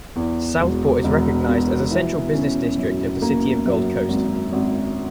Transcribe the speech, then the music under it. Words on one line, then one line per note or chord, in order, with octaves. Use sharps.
Southport is recognised as the central business district of the City of Gold Coast.
E2
E1
E1
B2
E3
C#4
F#2
A#3
F#2
G#1
G#1